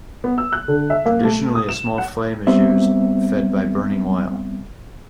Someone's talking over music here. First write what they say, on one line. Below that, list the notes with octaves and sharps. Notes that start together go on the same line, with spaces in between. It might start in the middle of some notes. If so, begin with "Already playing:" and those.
Traditionally a small flame is used, fed by burning oil.
B3
E6
F#6
D3
E5
A#3
A3
D#6
E7
F#5
G3 B3 C4 E5